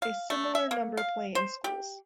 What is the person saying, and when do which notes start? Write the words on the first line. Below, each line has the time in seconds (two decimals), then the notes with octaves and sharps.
A similar number play in schools.
0.02 F5
0.30 A3
0.55 E5
0.71 A#3
0.97 F5
1.35 C5
1.64 G4